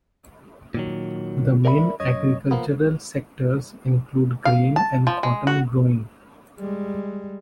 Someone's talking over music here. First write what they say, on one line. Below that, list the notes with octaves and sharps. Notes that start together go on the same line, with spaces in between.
The main agricultural sectors include grain and cotton growing.
A#2 D#3 F#3
A#4 D5 E5 G5 B5
F#2 C#5 D#5
F3 A#3 B3
F5
A5
F3
G#3
F#4
G3 G#3